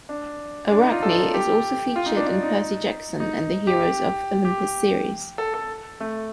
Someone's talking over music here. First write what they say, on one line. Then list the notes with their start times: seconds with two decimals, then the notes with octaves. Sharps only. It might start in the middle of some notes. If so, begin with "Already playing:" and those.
Arachne is also featured in the Percy Jackson and Heroes of Olympus series.
0.09 D4
0.71 D4
0.82 D#4
0.92 F4
1.03 A4
1.34 G4
1.96 F4
2.06 D#4
2.17 D4
2.27 D4
2.43 D#4
3.20 D#4
3.67 G4
4.45 G4
5.38 A4
5.54 A4
6.00 A3